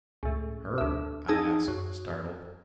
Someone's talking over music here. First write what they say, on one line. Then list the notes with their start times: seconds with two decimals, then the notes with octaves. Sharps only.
"Her?" I asked, startled.
0.23 C#2 A2
0.78 D2 E5
1.28 D#4 G#4 A5 E6 G#6
1.68 F#2